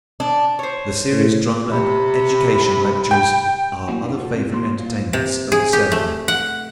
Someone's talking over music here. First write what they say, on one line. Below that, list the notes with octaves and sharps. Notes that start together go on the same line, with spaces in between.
The serious drama and educational lectures are other favorite entertainments of the Cerebral.
D4
C5 C#5
A2
C3 B5
G5
A2 A#3 F#4 F#5 G#5
B3 D4 D#4
F4 F#4 A4
C3 C4
A#3 F#4 C6
A#2 F4
C3
G#4
G4
A3
F#5